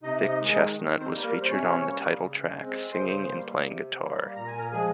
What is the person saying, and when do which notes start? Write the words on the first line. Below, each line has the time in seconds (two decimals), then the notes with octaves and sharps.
Vic Chestnutt was featured on the title track, singing and playing guitar.
0.03 C3 D#4 D#5
0.27 D#4 D#5
0.39 D#3 G#3
0.51 D#4 D#5
0.75 D#3
1.00 C4 C5
1.12 G3 A#3
1.23 A#3 A#4
1.41 C5
1.47 C3 C#4 C#5
1.83 G3 A#3
2.20 C#3
2.56 G#3 C4
2.91 C#3 C5 C6
3.27 G3 A#3
3.64 C3
3.99 G3 A#3
4.36 A#2 A#5
4.47 G#5
4.58 A#4 A#5
4.72 F3 G#3 G#4 G#5